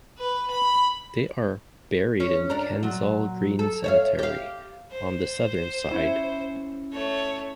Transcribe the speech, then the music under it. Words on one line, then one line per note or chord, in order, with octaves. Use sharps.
They are buried in Kensal Green Cemetery, on the southern side.
B4
B5
C#4
D4 A#4
A#2 F#3
A4
C#5 E5 F5
G4 F5
C5
C#4 E4
A3 C#5